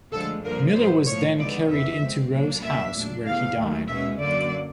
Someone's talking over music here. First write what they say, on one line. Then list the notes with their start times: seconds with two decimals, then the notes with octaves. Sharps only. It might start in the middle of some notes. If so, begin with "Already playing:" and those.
Miller was then carried into Roe's house, where he died.
0.13 D2 D3 F3 G#3 A4
0.44 G2 D3 F3 A#3 A#4
0.75 A2 F#3 B3 C5
1.07 A2 F3 A3 C#5
1.38 D3 F3 G#3 B3 D#4 D5
1.69 F2 C3 E3 E5
2.01 B2 G#3 C4
2.32 A#2 F#3 A#3 D4
2.63 E2 B2 G3 A#3 D4 E5
2.95 A#2 F#3 A3 D4
3.26 E2 C3 E3 A3 F5
3.58 D#2 D#3 F#3 A3
3.88 B2 G#3 C#4 E5
4.20 F#2 D3 F#3 A#3 D5